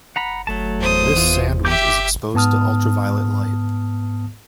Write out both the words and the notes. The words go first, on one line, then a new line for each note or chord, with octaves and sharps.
This sandwich is exposed to ultraviolet light.
F#5 A#5 B5
F#3 A3 A5
E2 C5 D#6
E3 F4
G4 E5 D6 G6
G#2 B3 A5 D#6 F6